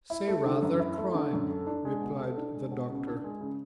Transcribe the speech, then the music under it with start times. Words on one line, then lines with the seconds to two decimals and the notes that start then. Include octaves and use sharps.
"Say, rather, crime!" replied the doctor.
0.10 E4
0.28 A3
0.46 D3
0.62 F#2
0.80 E4
0.98 A3
1.14 D3
1.33 F#2
1.50 A4
1.67 D4
1.85 G#3
2.01 B2
2.20 A4
2.38 D4
2.55 G#3
2.72 B2
2.89 C#3
3.07 D4
3.24 G#3
3.41 C#3